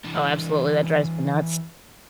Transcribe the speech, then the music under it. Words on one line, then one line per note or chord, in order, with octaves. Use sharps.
Oh, absolutely. That drives me nuts.
E3 D4